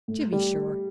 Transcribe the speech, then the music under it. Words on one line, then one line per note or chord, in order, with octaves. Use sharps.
'To be sure!
A2
G3